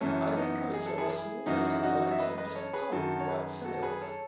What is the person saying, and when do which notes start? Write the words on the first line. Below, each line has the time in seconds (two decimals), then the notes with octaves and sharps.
"I think I saw a small vessel lying some distance off, with white sails."
0.01 F#2 E3 A3 C#4
0.37 B3 D#4
0.74 G#4
0.86 A4
0.98 E4 G#4
1.10 E4 G#4
1.46 F#2 E3 D#4 F#4
1.72 E4
1.83 D#4 F#4
2.11 E5
2.19 B4 D#5
2.38 B4 D#5
2.55 A4 C#5
2.73 G#4 B4
2.92 F#2 D#3 F#4 A4
3.20 C#5
3.29 G#4 B4
3.65 F#4 A4
3.83 G#4 B4
4.01 A4 C#5